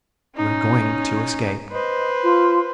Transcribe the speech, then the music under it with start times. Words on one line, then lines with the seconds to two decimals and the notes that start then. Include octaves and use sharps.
"We're going to escape!"
0.37 C#4 D#4
1.71 B4 C5 D#5
2.23 F4